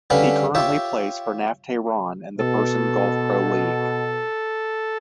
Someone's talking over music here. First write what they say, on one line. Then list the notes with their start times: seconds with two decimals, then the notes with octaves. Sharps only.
He currently plays for Naft Tehran in the Persian Gulf Pro League.
0.10 D3 G3 C#4 B4 F5 B5
0.55 F4 G4 C#5 E5
2.39 B2 A4